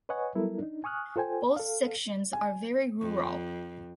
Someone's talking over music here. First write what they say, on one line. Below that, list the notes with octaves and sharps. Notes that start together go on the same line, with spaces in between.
Both sections are very rural.
B4 C#5 D#5 F#5 G#5 C#6
F#3 G3 B3 E4 A4 A#4
D4 D#4
G#5 C#6 D#6 F6 F#6
F4 A4 C5 G5 G#5
A4 F5
G#5
F2